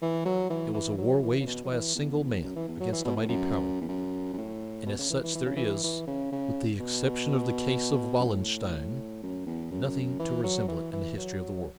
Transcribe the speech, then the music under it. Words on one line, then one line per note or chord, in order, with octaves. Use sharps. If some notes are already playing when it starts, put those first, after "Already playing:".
It was a war waged by a single man against a mighty power, and as such there is, with the exception of the case of Wallenstein, nothing to resemble it in the history of the world.
E3
F#3
E3
E3
F#3
E3
C#3
B2
F#3
E3
E2
F#2
E3
E2
F#3
E3
B2
A2
F#2
E2
F#2
F#2
A2
B2
C#3
E3
E3
E3
C#3
E3
E3
C#3
C#3
B2
F#2
A2
F#2
E2
F#2
E3
F#3
E3
E3
F#3